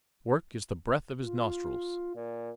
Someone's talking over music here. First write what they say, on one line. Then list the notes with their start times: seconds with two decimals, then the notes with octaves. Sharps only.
Work is the breath of his nostrils.
1.21 F4
2.16 A#2